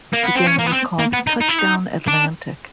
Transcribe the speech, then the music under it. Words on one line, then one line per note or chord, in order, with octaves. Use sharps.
The game was called "Touchdown Atlantic".
A#3
B3
C4
C#4
A#3
B3
C4
A#3
B3
D#4
D#4
E4
D#4
D4